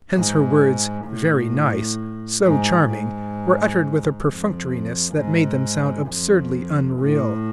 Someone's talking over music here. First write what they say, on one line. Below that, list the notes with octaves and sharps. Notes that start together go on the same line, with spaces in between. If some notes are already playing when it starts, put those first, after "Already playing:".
Hence her words "very nice," "so charming," were uttered with a perfunctoriness that made them sound absurdly unreal.
G#2
A2
G#2
G#2
F2
G#2
F2
A2